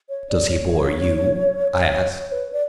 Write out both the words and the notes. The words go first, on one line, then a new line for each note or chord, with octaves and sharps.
"Does he bore you?" I asked.
C#5
D5
C#5
C#5
B4
D5